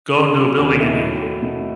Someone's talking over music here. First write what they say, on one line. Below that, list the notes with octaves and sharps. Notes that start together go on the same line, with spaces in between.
go into a building and you
C#3 G#4
F#3
D#2 F#4
A3 E4
D#4
F#3 E4
A3
B2